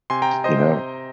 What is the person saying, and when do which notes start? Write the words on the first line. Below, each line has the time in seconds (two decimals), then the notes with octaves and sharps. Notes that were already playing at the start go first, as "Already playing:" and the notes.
you know,
0.10 C3 G#5 C6
0.22 G5 A#5
0.33 C3
0.44 C5 D#5
0.57 C3
0.79 C3